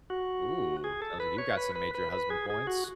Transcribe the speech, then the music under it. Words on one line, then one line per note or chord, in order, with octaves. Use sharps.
Oh, sounds like you got some major husband points.
F#4
G#4
A4
B4
C#5
B4
B4
B4
B4
G#4
G#4
F#4